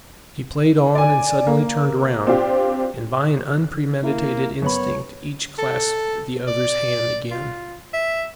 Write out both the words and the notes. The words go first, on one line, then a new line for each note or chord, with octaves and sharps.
She played on and suddenly turned round; and by an unpremeditated instinct each clasped the other's hand again.
D5 G#5
A#3
C4 D4 F4 G4
A#3 E4
F#2 B3 C#5 B5
A4
D5
F4
E5